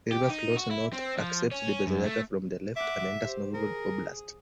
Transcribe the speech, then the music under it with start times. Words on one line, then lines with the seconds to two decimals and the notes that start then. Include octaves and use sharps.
The river flows north, accepts the Berezayka from the left, and enters Novgorod Oblast.
0.12 G4
0.30 D#4
0.57 F#4
0.71 E4
0.93 C4
1.18 F3
1.51 C#4
1.87 F#2
2.04 A3
2.76 E5 F#5 D6
3.19 G4 C5
3.54 G#4 A#4